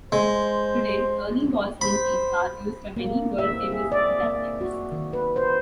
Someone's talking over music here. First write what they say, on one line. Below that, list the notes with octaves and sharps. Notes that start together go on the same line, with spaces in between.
Today Ernie Ball Slinkys are used by many world famous guitar players.
G#3 C5
C5 B5
A#3
E5
C4
G#4
D5
A#3
F#4
D#3
B4
C5